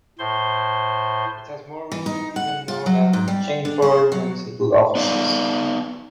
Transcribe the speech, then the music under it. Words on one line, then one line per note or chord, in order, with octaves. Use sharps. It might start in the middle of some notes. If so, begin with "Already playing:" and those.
It has more recently been known as the Chingford Municipal Offices.
A2 C5 C6
E3
D#4
F#5
F4
F#3
G#2
G3
D3
C5
F#3
B3 D#4 D5 F5